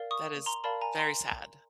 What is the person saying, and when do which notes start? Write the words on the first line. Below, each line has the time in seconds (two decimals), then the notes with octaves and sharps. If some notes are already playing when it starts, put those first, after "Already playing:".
That is very sad,
Already playing: A#4 D5 F5
0.11 C#6 D#6
0.46 A#5 C6
0.64 A#4 D5 F5 A5 B5
0.81 G#5 A#5
0.99 A#5 C6